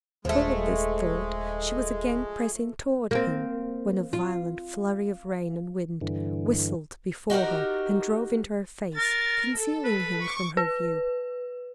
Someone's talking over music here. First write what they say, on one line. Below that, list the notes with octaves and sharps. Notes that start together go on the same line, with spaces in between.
Full of this thought, she was again pressing toward him, when a violent flurry of rain and wind whistled before her and drove into her face, concealing him from her view.
D#1 F3 G#3 A3
A#3 C4
F4
G2 D3 E3
D#4 F#4 G4 A#4
A#4 A6
A4
B4
C#6 D6
B4